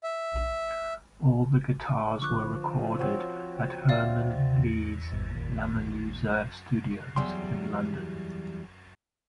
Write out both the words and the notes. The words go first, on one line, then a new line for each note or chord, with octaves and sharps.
All the guitars were recorded at Herman Li's LamerLuser Studios in London.
E5
D3 F3 C#6 D6 F#6
C4 F#4 C5 C#5
D5 E5 F5
G#1 G2 B2
D#2 A#2
E2 F#3 G3 G4 C6